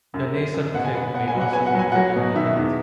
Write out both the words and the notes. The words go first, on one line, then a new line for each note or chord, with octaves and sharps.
The nasal click may also be heard at the right.
F#2
F#2
F#2
B2 F#5
G#5
B3 F#5
B3 F#5
G#5
F#3
F#5
B3 G#5
F#5
F#3 G#5
F#3 F#5
B2
D#3 E5
E2